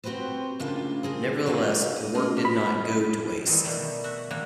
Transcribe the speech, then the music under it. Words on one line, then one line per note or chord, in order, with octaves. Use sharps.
Nevertheless the work did not go to waste.
C4 F#4 G4 B4 C5
A2 C#3 A#3 D4 F4 A4
C4 G#4 A#4 C5
F#4 G4 B4 F5
D#5
A3 C#4 F4 G#4 A#4
B5
D#3 E3 G3 A3 C4 D#4
B2 D#3 G3 A3
F#4 E5 F#5
G3 A#3 D4 E4 F#4 G4